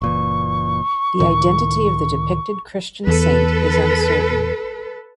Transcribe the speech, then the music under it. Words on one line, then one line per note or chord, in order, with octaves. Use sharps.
The identity of the depicted Christian Saint is uncertain.
F#1 A#2 E3 C#6
C#2 A2 D#3
E2 A4 B4